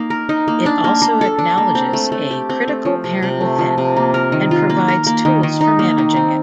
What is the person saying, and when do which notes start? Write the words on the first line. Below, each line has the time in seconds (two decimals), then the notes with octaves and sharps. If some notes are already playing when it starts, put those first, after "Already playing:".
It also acknowledges a Critical Parent Within and provides tools for managing it.
Already playing: A#3 D#4
0.10 A#4
0.29 D#4
0.48 A#3
0.66 D4
0.84 A#3
1.02 A#3
1.21 A4
1.39 D4
1.58 A#3
1.75 C4
1.93 A3
2.12 A3
2.31 G4
2.50 C4
2.68 A3
2.85 F3
3.04 C3
3.23 C3
3.41 A3
3.59 F3
3.78 C3
3.96 A#3
4.14 A#4
4.32 D#3
4.51 F4
4.70 A#3
4.88 A#4
5.07 A#3
5.25 D#3
5.43 D#3
5.61 D#4
5.79 A#3
5.98 D#3
6.16 C4